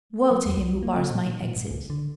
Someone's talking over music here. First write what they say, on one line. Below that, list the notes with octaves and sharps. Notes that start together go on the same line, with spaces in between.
Woe to him who bars my exit!
F#3
E2
C2
A#3
C#3
A#2
D#3
A#2
G#2
C#2
D3